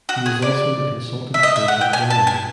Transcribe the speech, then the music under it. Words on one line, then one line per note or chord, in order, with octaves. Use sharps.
He is also the Consultant Surgeon General.
F#4
G#4
D5
E5
D#5
E5
F#5
G5
G#5
A5
G#5